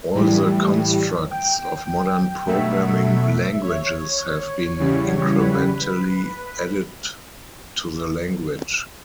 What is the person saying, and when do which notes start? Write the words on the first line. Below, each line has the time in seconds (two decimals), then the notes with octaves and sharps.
All the constructs of modern programming languages have been incrementally added to the language.
0.14 A2 E3 G3
1.31 G5
2.47 B2 F#3 A3 E5
3.63 C#5
4.79 E2 C#3 E3 G3
5.38 B4